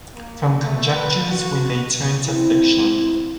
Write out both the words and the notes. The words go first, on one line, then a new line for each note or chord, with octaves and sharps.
From conjectures we may turn to fiction.
A#3
A3
B4
F#4
C4 E4